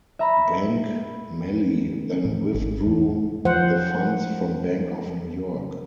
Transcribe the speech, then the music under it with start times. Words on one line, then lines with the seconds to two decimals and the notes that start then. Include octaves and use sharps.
Bank Melli then withdrew the funds from Bank of New York.
0.19 E5 A#5 B5
2.25 A2
2.54 G#1
2.86 E2
3.45 F3 C5 F#5